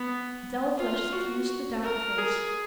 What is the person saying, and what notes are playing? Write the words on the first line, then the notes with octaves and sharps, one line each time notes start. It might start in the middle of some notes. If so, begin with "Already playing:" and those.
A dull flush suffused the dark face.
Already playing: B3
F4
F#4
A#4
G#4